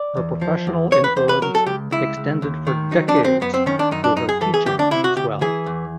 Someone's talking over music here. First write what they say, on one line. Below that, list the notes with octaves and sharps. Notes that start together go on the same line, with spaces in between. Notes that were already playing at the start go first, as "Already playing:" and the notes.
Her professional influence extended for decades through her teaching as well.
Already playing: D5
E2
F3
E2
E2 C#5
B4
E2 C5
B4
F#3 A#4
A4
C#2 G4
C#2 E4
C#2
D#2
D#3
F#3 D#4
D4
D#2
C4
F#2 B3
C4
D#3 C#4
D4
F#2 D#4
D4
F#2 D#4
G#4
E3 A4
G#4
D2 G4
D4
C3 E4
F#4
D2 G4
E3 G#4
E2